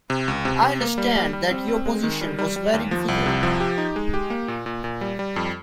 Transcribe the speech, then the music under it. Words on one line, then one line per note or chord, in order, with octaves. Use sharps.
I understand that your position was very difficult.
C3
C#2
C3
C3
A#3
G3
G3
G3
C4
C4
G#3
D#3
G3
G3
G3
D#2
F3
C2
C3
F3
G4
D#4
G#3
G4
A#3
A#2
A#2
A#2
G3
G3
F2